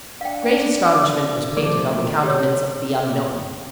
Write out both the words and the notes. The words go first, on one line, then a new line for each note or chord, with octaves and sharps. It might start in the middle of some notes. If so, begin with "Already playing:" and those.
Great astonishment was painted on the countenance of the unknown.
D4 F5 G5
F3 A3 G#4 D5 D6
G4 C#5